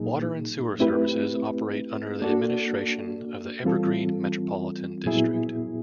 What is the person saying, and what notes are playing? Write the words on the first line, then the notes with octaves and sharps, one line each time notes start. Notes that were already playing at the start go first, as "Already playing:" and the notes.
Water and sewer services operate under the administration of the Evergreen Metropolitan District.
Already playing: A#2 F#3 A#3 D#4 G#4
A3 C4 E4 G4 B4
A#3 D4 F#4 A4 D5
E3 G3 C4 F4 A4
A#2 F#3 B3 E4 G#4